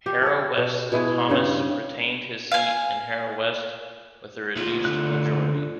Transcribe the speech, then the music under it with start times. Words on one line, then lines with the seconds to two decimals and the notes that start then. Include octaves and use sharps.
Harrow West's Thomas retained his seat in Harrow West with a reduced majority.
0.06 G4
0.22 A4 C#5
0.57 B2
0.92 B2 G#3 E4 G#4
1.30 G2 C#3 C4
2.52 F5 G#5
4.57 D2 F3
4.85 D3 F#6